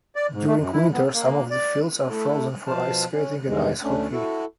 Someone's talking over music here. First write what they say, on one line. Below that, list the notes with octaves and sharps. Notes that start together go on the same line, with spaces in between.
During winter some of the fields are frozen for ice-skating and ice hockey.
D5
G#2
A3
F#2
E4
B3
A#3
D5
A3 E4 A4
B2 F3 C5 F5 A5
C#4
E2 G2 C3 D#3 G#3
D2 A3 C#4 D4
E4 F#4 A4